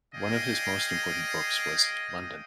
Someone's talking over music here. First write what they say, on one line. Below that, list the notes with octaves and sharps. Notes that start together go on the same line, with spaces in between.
One of his most important books was "London".
G#4 D5 D#5 F5 G5